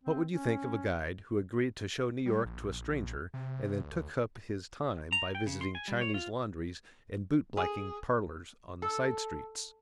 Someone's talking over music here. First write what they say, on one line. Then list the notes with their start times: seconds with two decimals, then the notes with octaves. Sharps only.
What would you think of a guide who agreed to show New York to a stranger and then took up his time by visiting Chinese laundries and boot-blacking "parlors" on the side streets?
0.03 C4
0.30 C#4
2.26 G3
2.45 A#1
3.34 C3
3.82 D2
5.12 A#5
5.35 G5
5.47 C#3
5.61 C6
5.75 G#5
5.88 G3
6.01 C#5
6.14 F4
7.57 G#4
8.82 A4